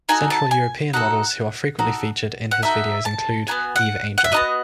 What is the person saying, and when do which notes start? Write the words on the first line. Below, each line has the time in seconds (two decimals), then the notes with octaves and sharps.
Central European models who are frequently featured in his videos include Eve Angel.
0.09 D#4 F#4 A4 G#5
0.30 A5
0.51 G#5
0.93 D#4 F#4 A4 F#5
1.79 D#4 F#4 A4
2.51 F#5
2.62 D#4 F#4 A4 E5
3.05 A5
3.48 B3 D#4 F#4 G#5
3.76 F#5
4.18 F#5
4.24 E5
4.32 B3 D#4 F#4 D#5